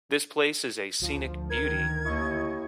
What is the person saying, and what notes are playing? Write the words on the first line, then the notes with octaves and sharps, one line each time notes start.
This place is a scenic beauty.
D2 F3
D#3 A#4 G#6
D#2 E4 D#5 C#6